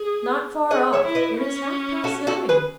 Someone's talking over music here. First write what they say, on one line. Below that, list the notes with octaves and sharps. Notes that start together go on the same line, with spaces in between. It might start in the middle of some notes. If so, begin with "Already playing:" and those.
'Not far off--it is half-past nine.
Already playing: G#4
G#4 D#5 F#5
C#5 E5
E4
B4 D#5
C#4
F#4 A4
F#4 A4
G#4 B4